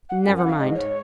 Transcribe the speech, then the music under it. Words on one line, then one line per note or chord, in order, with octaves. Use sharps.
Never mind.
F#5
F#2 G#5
F#5
F5
G#2 D#5
C#5